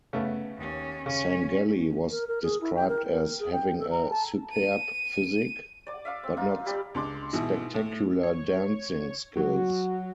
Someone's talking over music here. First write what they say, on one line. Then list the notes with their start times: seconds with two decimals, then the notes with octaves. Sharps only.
Sangalli was described as having a "superb physique", but not spectacular dancing skills.
0.13 C#3 A3 B3
0.57 D#2 C#4
1.06 C#3 C#4
2.11 A#4
2.28 A#4
2.43 G#4
2.61 E4
2.75 G5
2.89 A#4
3.12 A#4
3.40 G#4
3.53 G5
3.79 A4
3.91 A#5
4.10 A5
4.52 D#7
5.87 D5 D6
6.05 E5 F5 D6
6.23 C4
6.37 D#4 F4
6.66 G3 G4 D5
6.95 C#2 D4 C6 D6
7.33 G#2 B2 E3
7.74 A2
8.23 C#5
9.37 F#3 F#4